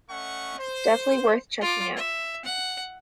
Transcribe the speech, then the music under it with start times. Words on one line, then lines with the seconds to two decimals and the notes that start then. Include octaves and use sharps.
Definitely worth checking out.
0.10 A3 C#4 D#5 F#5 C#6
0.59 C5
1.61 F4 D6
1.96 E5
2.45 F#5